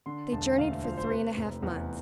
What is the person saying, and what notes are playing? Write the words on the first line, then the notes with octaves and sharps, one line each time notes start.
THEY journeyed for three and a half months.
D3 C6
E1 A5
D2 F5
E5
F3 C5
C5
C3 B4
F1
E2